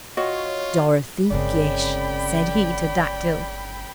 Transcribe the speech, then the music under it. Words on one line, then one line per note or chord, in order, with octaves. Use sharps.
DOROTHY GISH, said he to Dactyl.
F4 F#4 C#5 D#5
G1 C#3 G#3 C4 A#4 D5 G5 B5